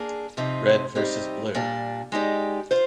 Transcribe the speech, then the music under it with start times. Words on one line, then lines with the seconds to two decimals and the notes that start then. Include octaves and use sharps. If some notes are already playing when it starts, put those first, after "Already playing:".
Red versus Blue.
Already playing: A#3 D4 G#4
0.37 C3 F3 C4 D#4
0.95 C3 G3 C4 D#4 G4
1.55 A#2 G3 D4
2.12 G#3 D#4 G4 D5
2.71 F4 C5